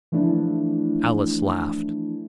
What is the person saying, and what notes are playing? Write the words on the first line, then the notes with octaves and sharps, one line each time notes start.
Alice laughed.
E3 F3 A3 D4 E4